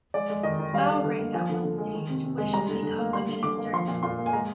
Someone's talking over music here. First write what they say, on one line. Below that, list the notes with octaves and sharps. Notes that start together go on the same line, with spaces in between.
Bowring at one stage wished to become a minister.
G#3 D5
G#3
D#3 D#5
D#3
G3 F5
D3
D3
A#3
F3 G#5
D3
D3
G#3
D#3
C3
C3
G#3
G3 A#5
D3
D3
A#3
G3 C6
D3
D3 D6
A#3
F3 C6
A#2
A#2 C6
A#3
G#5
G#3 A#5